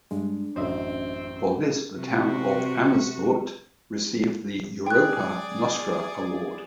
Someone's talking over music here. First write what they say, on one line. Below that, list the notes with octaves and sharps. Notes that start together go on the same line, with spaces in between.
For this the town of Amersfoort received the Europa Nostra Award.
G2 G#3 D4
A1 F#2 C4 C5 D#5 E5
C3 F#4
G#4 D5 G5 F#6